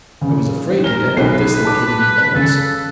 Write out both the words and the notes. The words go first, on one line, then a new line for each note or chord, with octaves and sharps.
I was afraid he'd end up dislocating the bones.
C#3
A#4 G7
B1 B4 C7
A5 D6
C#3 A4